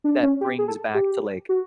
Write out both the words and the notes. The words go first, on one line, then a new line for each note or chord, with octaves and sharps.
that brings back to, like,
D4
C#4
G4
G#4
A4
G4
F#4